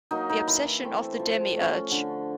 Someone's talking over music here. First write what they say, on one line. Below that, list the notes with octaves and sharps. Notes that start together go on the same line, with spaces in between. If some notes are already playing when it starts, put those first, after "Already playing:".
The Obsession of the Demiurge.
F#3 A#3 D#4
D#4
E3 E4
A3 C4
F3
A3 C#4
D3